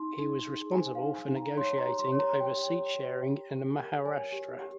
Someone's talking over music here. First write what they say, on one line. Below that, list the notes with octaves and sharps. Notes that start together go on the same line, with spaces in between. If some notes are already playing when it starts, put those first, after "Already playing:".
He was responsible for negotiating over seat-sharing in Maharashtra.
Already playing: D#4 C6
D#4
G#4
C5 G#5
F5
D#4
G#5
D#4
A#5
C#5 C6
A#5
G4
C6
C#5
A#5
G4 G5
C#5
G4
G4
G4
A#4
C#5 G#5
G4
G4